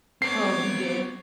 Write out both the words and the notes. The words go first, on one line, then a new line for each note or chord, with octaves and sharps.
Oh, we did.
B3 C4 C#5 D6 C7